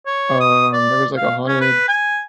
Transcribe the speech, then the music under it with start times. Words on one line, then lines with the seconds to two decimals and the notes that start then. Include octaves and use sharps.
um, there was like a haunted
0.06 C#5
0.40 D#6
0.73 D5
1.17 F5
1.48 C#4
1.61 B4
1.88 G#5